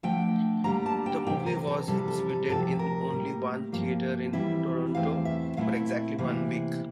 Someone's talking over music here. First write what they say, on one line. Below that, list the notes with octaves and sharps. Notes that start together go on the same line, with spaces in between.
The movie was exhibited in only one theater in Toronto for exactly one week.
D3 F3 A3 G5
D3 G3 A#3 A#5
A5
G5
C3 E3 A#3 G5
A#4
A4
F2 C3 E3 G3 A4
A4
A4
D2 C3 F3 A4
A#4
A2 G3 A#3
G2 F3 A#3
F2 E3 G3 C4 E4 E5
E2 E3 A3 C4 F5
E5
A#2 A3 C4 E4 F5
C3 E3 A#3 E4